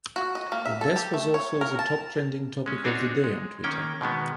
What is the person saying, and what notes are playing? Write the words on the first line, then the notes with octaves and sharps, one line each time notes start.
The death was also the top trending topic of the day on Twitter.
F#4
D#5
A#3
E5
A4
G4
A3
C#5
A#4
A5
G#3 C#4
C4 D4 D#4 F#4 G#4 C#5
G#3
D#3 A#3 C#4 G5
B2 D#3 G#3 B3